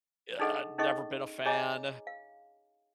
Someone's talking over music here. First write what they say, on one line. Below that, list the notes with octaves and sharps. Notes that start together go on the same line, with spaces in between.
Ugh, I've never been a fan,
D4 D#4 G#4 A4 D#5 F#5
C#4 D#4 G#4 A4 D#5 C#6
G#4 C#5 D#5 G#5 A#5 D6
F5